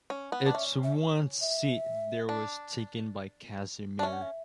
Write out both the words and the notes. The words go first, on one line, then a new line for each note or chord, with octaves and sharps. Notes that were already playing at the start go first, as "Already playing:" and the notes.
Its one seat there was taken by Cazimir.
C#4
B3
D4 D5
C#4 E5
E5
E5
D4
D4
C#4 E5
F#5
E5